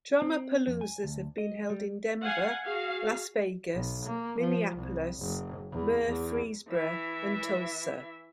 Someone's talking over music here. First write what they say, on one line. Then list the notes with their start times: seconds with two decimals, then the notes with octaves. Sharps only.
TromaPaloozas have been held in Denver, Las Vegas, Minneapolis, Murfreesboro, and Tulsa.
0.22 C4
0.67 F2
0.81 G#5
1.04 D2
1.38 D#5
1.70 G3
2.24 F5 F#5 G#5
2.65 F#4 G#4 F5
3.74 B1
4.06 A#3
4.40 F3
4.77 C2
5.20 F#1
5.72 E2
6.05 E2
6.69 E3 E5